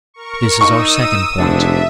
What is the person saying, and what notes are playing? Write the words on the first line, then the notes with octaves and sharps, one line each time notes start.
This is our second point.
A#4 C#6
D#4 C#6 D#6 E6 D#7
F1 G#2 C3 D4 E5